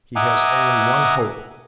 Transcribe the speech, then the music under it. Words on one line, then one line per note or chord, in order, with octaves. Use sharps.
He has only one hope.
D#5 E5 F#5 G#5 A#5 D6